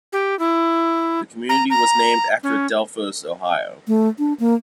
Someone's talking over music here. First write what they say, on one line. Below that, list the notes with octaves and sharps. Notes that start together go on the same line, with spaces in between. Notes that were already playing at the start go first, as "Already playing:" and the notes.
The community was named after Delphos, Ohio.
G4
E4
A#5
A#5
C#4
A3
D4
A#3